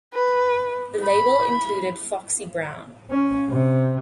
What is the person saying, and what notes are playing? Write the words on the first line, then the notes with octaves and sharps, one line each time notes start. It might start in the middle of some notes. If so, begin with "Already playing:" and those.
The label included Foxy Brown.
B4
B5
C#4
C3